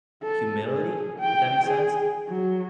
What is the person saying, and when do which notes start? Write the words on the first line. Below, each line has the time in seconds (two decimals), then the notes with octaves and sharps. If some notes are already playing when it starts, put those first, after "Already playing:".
humility, if that makes sense?
0.23 A4
0.64 G#4
1.19 G5
1.68 G#4
2.29 F#3